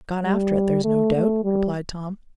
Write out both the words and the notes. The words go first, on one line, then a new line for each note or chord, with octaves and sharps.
"Gone after it, there's no doubt," replied Tom.
G3
A3
A3
G3